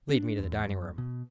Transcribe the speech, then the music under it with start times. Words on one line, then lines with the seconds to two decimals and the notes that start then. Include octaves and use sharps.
"Lead me to the dining-room."
0.09 D4
0.39 E2
0.65 F#2
0.98 B2